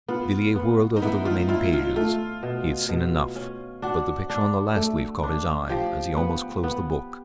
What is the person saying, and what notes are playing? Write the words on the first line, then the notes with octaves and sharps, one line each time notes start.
Villiers whirled over the remaining pages; he had seen enough, but the picture on the last leaf caught his eye, as he almost closed the book.
B3 F4
B3
D#4
B3 E4
F4
E4 F4
F4
A3 F4
B2
B2
C#4
D4 F#4
D4
A3
D4
F3 G4
B3
B3